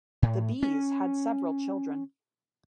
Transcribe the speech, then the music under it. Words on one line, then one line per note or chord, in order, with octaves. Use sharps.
The Bees had several children.
A2
C#4